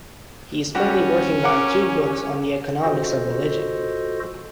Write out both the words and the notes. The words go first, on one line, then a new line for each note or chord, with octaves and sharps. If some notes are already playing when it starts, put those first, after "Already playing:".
He is currently working on two books on the economics of religion.
G3 C#4 F#4 G4
A#4 F#5 D6
F4 F#4 A4 C5 D#5